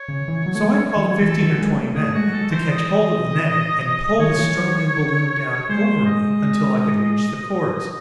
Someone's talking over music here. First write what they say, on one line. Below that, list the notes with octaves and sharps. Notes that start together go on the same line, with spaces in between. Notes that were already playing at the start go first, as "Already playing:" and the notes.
So I called fifteen or twenty men to catch hold of the netting and pull the struggling balloon down over me until I could reach the cords.
Already playing: C#5
C#3
E3
F#3
A3
G#3
E3
F#3
E3 A4
D#3
F#3
G#3
A3
A3 G#4
A3
G#3 F#4
F#3
G#3 A4
E3 C5
D#5
D#3 C#5
E3
F#3
G#3 C5
D#5